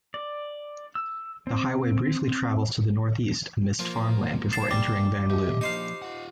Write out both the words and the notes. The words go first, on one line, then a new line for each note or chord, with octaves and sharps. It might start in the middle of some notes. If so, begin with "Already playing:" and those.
The highway briefly travels to the northeast amidst farmland before entering Vanlue.
D5
E6
C4
F3 A#3
G#2 A#3 A6 C7 E7
G3 D6
G4 D#5 E5
F3 A#3 D#4 C5 F5
F4 F#5